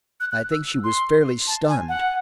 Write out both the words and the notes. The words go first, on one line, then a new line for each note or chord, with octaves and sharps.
I think she was fairly stunned.
F#6
F#6
E6
C6
A5
G#5
F#5